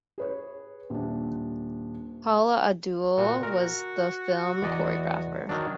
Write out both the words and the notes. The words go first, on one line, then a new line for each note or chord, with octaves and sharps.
Paula Abdul was the film choreographer.
G#4 B4 C#5
D#1 D4
A#2 F#4
F#4 A#4
E2 D5 D#5
D#3 F#3 D4